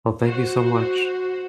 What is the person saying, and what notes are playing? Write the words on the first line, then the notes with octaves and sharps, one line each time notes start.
Well, thank you so much.
F#4 C5